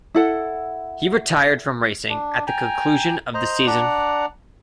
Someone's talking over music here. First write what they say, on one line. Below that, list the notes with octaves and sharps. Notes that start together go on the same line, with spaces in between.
He retired from racing at the conclusion of the season.
E4 A4 F#5
D4
G5 G#5 A#5
C5 D#5 A#5
D4 D5 F#5 A#5